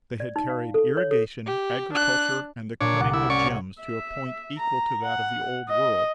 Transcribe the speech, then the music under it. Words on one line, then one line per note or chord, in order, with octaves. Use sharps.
They had carried irrigation, agriculture, and the cutting of gems to a point equal to that of the Old World.
D5
D#4
F5
A4
C#5
A4
G4
D4 F#6
A#2 A#3 D4 C#5
C2 F#5 D6
E4
C#4 D5 C#6
C#5
E5
A#5
F#5
D#5